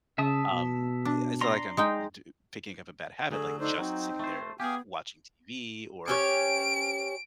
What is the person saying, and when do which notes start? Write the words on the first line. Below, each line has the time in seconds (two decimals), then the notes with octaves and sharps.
um, eh it's not like I'm d picking up a bad habit, like, just sitting there watching TV, or
0.18 C#3 E5 A5 D#6
0.52 B2
1.05 D4
1.41 D5 A#5 C6
1.77 G#3 D#4 G5
3.31 D2 D3 F#3 G#4 A4
3.60 D4 D#4 A4 C5
3.78 F#3 C4 D#4
4.19 A3 C5
4.60 B3 G4 G#4 F5 G5 G#5
6.08 C#4 G4 C#5 D7